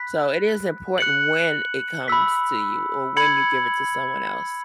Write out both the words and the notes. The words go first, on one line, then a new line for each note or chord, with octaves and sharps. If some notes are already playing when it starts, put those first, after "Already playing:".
so, it is important when it comes to you, or when you give it to someone else.
Already playing: B5 F#6 B6
F#6 C#7 F#7
B5 E6 B6
B5 G#6 C#7 F#7